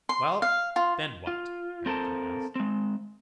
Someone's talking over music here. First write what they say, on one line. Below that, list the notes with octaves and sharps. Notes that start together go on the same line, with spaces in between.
"Well, then what?" Harrington asked.
C6
F5
F4
F4
C4 A4 A#4 C5 A5
G#3 C4